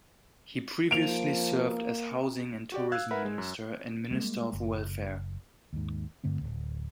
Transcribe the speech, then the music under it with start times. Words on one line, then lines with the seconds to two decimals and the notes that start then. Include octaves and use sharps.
He previously served as housing and tourism minister and minister of welfare.
0.91 F3 A#3 D7 F7
2.72 F#4 G4 D5
2.92 F5 E6 F#6 G#6
3.11 A#4 B4 E5 F#5 B5
3.25 G#3
3.38 F#2
4.11 G3 G#3 A#3
4.53 F#1
5.73 D#2 G#2
6.24 G2 D3 A3 C4
6.41 D1